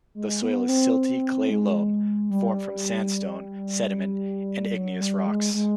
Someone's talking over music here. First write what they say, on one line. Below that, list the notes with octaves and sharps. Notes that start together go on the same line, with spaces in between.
The soil is silty, clay loam formed from sandstone, sediment, and igneous rocks.
G#3
B3
C4
G#3
G3
F#3
G3
G#3
G#3